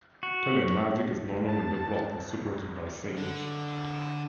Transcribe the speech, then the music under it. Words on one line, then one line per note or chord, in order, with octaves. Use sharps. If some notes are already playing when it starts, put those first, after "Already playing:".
TeleMagic is no longer developed or supported by Sage.
F#4
A5
D3